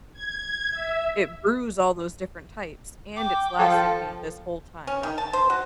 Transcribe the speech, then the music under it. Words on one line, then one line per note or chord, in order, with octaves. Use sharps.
it brews all those different types and it's lasted me this whole time. Knock on wood.
G#6
E5
G5 D6
F3 A4 F5
C#4
D#3
A5
C5
F#4